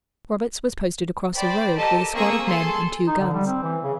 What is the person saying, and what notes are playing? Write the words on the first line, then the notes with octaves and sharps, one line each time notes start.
Roberts was posted across a road with a squad of men and two guns.
C5 D5 G5 B5
G4 A4 A#4 D#5 A5
A#3 C4 G#4 C#6 D#6 E6
G#4 A4 C6
D#4
D3
G3
C4
E3
C#3